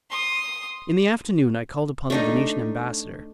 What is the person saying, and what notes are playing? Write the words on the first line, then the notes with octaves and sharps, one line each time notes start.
In the afternoon I called upon the Venetian ambassador.
C6 D#6
A3 D4 D#4